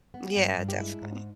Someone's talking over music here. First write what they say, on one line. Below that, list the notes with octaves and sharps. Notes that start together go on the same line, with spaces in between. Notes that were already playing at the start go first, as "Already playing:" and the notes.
Yeah, definitely.
B3
G2
G2
G4
G#3 E4
G#2